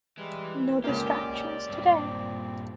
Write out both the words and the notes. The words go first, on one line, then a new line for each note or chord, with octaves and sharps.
No distractions today.
E3 G3 G#3
C#2 A#3 C#4 G4 D5 G6
G2 A#2 F3 C4